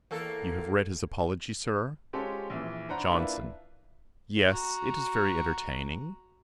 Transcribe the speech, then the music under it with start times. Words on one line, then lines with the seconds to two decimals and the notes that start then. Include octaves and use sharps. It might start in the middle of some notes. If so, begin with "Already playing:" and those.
'You have read his apology, Sir?' JOHNSON. 'Yes, it is very entertaining.
0.11 E2 A#3 A4
2.13 G#3 C#4 F4 G4 A4 C5
2.50 A#1 E3
2.89 D4 C5 F#5 A#5 B5
3.09 A#3 D4 E4 F4 B4
4.48 F#4 A#5